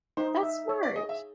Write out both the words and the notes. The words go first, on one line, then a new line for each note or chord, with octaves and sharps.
That's smart.
D#4 C5
E5
C#5
D5
G#4 D#5
E5